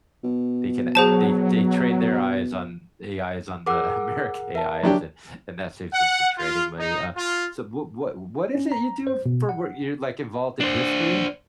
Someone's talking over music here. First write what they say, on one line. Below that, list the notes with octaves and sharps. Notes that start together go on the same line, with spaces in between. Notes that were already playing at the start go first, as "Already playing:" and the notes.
they can they they train their eyes on AIs on the American AIs and and that saves them some training money. Uh, so what what what is it you do for wor you're, like, involved in history?
B2
F#3 G#4 C5 A5
G#4 A#4 F#5 D6 E6
A#4 E5 A5
F#3 D4 G4
F#5
F4
D#4
F4
C#4
A#5
C5
B2
F#5
D4 C5